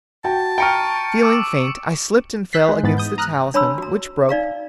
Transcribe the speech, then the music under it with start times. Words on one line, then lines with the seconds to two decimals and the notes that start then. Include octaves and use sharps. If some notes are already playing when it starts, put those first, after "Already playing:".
Feeling faint, I slipped and fell against the talisman, which broke.
0.24 F#4 G5 A5
0.58 G5 A#5 C#6 F6 C#7 D7
1.23 D6 E6
2.53 E6 F#6 G6 A6 B6 C7
2.69 G#3
2.83 G#2 E3 B3 B5 A6
2.98 D#6 G6
3.18 A#5 D#6 F6 F#6
3.54 D4 C#5 A5 B5 C6 E6
3.78 F#4 A#5
4.29 D#4 D5 F5 A#5